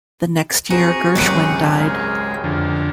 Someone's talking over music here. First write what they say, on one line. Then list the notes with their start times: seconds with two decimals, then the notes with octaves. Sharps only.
The next year Gershwin died.
0.70 C4 F#4 G#4 A#5 C#6
1.15 G#1 C#2 F#2 C4 G4 G#4 F#5
1.80 G#3 F5
2.44 F2 D3 F5